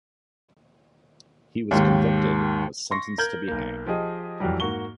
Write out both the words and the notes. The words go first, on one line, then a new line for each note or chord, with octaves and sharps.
He was convicted and was sentenced to be hanged.
D#2 G#2 D#3
C6 C#6 A#6
A#4 G6 G#6 F#7
B1 A#3
F3 G4 G#4 D#5
F2 E3 F#3 G3
G#2 A#3 F#4 C#6 G7